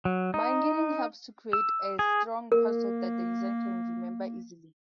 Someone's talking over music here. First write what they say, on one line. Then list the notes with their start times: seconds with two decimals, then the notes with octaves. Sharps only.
Mungeing helps to create a strong password that the user can remember easily.
0.05 F#3
0.34 D#4
1.53 E6
1.99 G#4
2.52 A#3 A#4